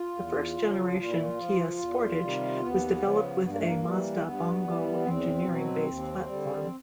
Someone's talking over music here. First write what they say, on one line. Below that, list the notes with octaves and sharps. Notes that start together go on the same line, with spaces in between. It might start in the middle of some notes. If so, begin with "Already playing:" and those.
The first-generation Kia Sportage was developed with a Mazda Bongo engineering base platform.
Already playing: F4
E2
C#3 F3
A#2 F4
E4
F4
F3
E2
C3 D#3 G3
D#2 B3
C#3 F3
G2 B3
A#3
A3
A#3
E3 G3
A#3
G2 B3
E3 G3
E2 C4
B2 F#3
D#2
D3 G3